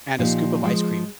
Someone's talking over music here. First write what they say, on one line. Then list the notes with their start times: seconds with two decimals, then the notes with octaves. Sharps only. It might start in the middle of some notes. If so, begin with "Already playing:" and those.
and a scoop of ice cream.
0.18 A#2 F3 A#3 D#4 G4
0.64 F3 G#3